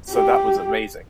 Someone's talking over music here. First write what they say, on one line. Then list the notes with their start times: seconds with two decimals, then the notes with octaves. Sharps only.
So that was amazing.
0.11 G4